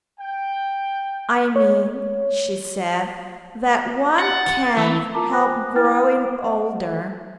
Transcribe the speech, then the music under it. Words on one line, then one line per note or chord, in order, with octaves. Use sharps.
'I mean,' she said, 'that one can't help growing older.'
G5
C#5
F#5 A6
E3 E6
F4 A#4 A5 A#5 D6
C5 G5 G#5 D6 F#6 A#6
E4 B4 G5 F6 A6
D#5 F#5